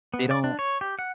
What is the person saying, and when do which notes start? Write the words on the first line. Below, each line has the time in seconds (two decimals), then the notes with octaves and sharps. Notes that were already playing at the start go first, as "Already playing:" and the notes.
they don't,
0.14 B3
0.31 D5
0.44 D4
0.59 C#5
0.81 G4
0.99 F#5